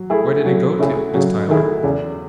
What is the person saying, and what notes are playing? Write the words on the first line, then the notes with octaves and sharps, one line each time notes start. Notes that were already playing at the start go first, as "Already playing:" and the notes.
"Where did he go to, Miss Tyler?"
Already playing: F#3
A3 E4 G#4
C#3 F#3
C#3 A3 E4 G#4
C#3 F#3
D#3 A3 E4 G#4
E2 C#3